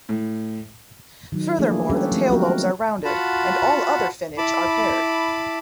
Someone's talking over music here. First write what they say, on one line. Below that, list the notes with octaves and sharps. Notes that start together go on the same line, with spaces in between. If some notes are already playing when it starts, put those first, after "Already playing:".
Furthermore, the tail lobes are rounded, and all other finnage are paired.
A2
D#3 F#3 D#4
F3 A3 A#3 D4 E4 G#4
G3 C#4 D4 G4 A4 B4
F3 G#3 A3 C4
F#3 B3 F#4 A#4
F4 F#4 F#5 A5 B5
E4 A5 B5 D6